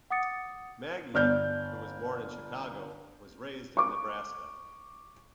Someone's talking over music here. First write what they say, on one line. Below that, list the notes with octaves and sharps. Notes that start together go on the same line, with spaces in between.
Magee, who was born in Chicago, was raised in Nebraska.
F#5 D6 D#6 A6 C#7
G1 D5 F6 G6
C#6 D6